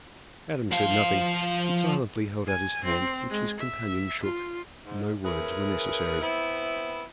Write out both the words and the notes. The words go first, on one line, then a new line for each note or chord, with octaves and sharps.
Adam said nothing, but silently held out his hand, which his companion shook: no words were necessary.
F3 F5
G#5
C4
G#3
E5
F4
G#2
C#4 E4 G#4 A#4 B4
B3 C4 E4